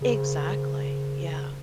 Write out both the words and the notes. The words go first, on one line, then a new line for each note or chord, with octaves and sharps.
Exactly, yeah.
C#3 G#4 A#4 C5